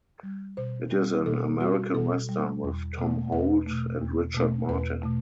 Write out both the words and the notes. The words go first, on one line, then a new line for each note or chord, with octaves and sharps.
It is an American western with Tom Holt and Richard Martin.
G3
B2 C5
G3
B2 A4
G3 F#4
B2 A4
G3
E2
B2 A3
E2 B4
B2 A3
E2
B2 A3
E2 B4
B2 A3